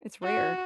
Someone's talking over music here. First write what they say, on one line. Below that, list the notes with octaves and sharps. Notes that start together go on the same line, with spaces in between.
It's rare.
F#4